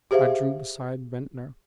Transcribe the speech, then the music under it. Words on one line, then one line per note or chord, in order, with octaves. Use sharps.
I drew beside Ventnor.
G4 G#4 C5 E5 F5